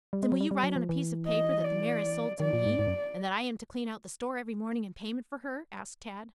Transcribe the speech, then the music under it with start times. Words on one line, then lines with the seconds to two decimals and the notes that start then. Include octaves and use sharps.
"Then, will you write on a piece of paper that the mare is sold to me, and that I am to clean out the store every morning in payment for her?" asked Tad.
0.13 G3
0.23 G#3
0.32 F#3
0.41 G3
0.51 G3
0.63 F#3
0.76 F3
0.89 E3
1.27 D#5
1.64 D5
2.40 D#3 D5
2.53 A#2
2.66 G#2
2.79 G#2
2.87 F#2